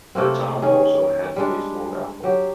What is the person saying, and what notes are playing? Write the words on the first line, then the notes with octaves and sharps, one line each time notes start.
The town also had a small airport.
C3 A3 A#3 C4
D#3 C#4 G#4
G3 G#3 D4
F#3 G4